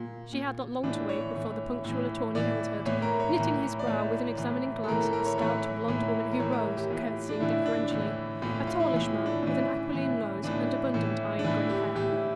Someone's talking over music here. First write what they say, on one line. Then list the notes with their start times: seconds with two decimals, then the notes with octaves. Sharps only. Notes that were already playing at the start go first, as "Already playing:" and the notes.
She had not long to wait before the punctual attorney entered, knitting his brow with an examining glance at the stout blond woman who rose, curtsying deferentially,--a tallish man, with an aquiline nose and abundant iron-gray hair.
Already playing: A#2
0.33 A#2
0.83 A2 E3 D4
1.09 C#5
1.35 A2 E3
1.85 A2 E3
2.35 A2 E3 D5
2.86 A2 E3 C#5
3.02 A#4
3.20 C#5
3.36 A2 E3 A#4
3.79 D5
3.87 A2 E3 C#5
4.38 A2 E3
4.84 A4
4.88 A2 E3 A#4
5.00 A4
5.13 A#4
5.25 C#5
5.38 A2 E3 C#5
5.88 A2 E3
6.31 A#4
6.39 A2 E3 C#5
6.52 A#4
6.65 A#4
6.77 G4
6.90 A2 E3 F4
7.29 D4
7.40 A2 E3 E4
7.66 D4
7.91 A2 E3
8.42 A2 E3 F4
8.54 F4
8.67 F4
8.80 E4
8.93 A2 E3
9.26 D4
9.42 A2 E3 C#4
9.93 A2 E3
10.43 A2 E3 D4
10.94 A2 E3
11.39 D4
11.44 A2 E3 E4
11.69 G4
11.95 A2 E3 G4
12.12 E4